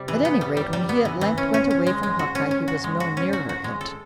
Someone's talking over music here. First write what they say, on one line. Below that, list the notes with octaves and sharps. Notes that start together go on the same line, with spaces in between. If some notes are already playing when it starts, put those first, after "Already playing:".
At any rate when he at length went away from Hawkeye he was no nearer it.
Already playing: C3 G3
E3
B3
G3
G3
G3
B3
E3
E3
C#4
C#4
C#4
G#3
G#3
F#4
C#4
C#4
F#4
G#3
F#4
C#4
F#4
F#4
G#3
A4